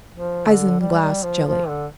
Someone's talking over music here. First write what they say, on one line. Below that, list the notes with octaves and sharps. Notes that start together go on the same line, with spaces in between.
Isinglass Jelly.
F3
D3
G3
G3
F3
F3
D3